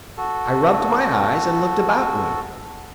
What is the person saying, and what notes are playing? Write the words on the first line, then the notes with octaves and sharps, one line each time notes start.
I rubbed my eyes, and looked about me.
F#4 A4